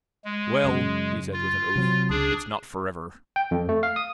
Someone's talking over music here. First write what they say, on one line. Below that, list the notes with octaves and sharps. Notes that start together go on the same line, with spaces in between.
"Well," he said with an oath, "it's not forever."
G#3
F#2 C#3
F4
C3 F#3 C4
C#2 D4 G#4
G5
F2
A3
F5
D#6